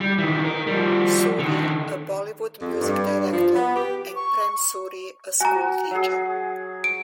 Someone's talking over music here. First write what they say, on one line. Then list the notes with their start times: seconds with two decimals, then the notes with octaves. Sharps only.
Suri, a Bollywood music director, and Prem Suri, a schoolteacher.
0.01 G3
0.18 D#3 E3
0.44 D#4 A#4
0.67 F3 G3
1.39 D3 D#3
2.61 F2
2.81 G2
3.32 F3
3.56 B3
3.75 G4
4.16 C#6
5.41 F#4 G#5 A#5
5.91 F#3 G#4
6.84 D7